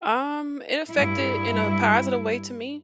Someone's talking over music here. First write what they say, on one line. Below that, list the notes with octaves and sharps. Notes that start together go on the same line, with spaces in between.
Um, it affected in a positive way to me,
G2 E4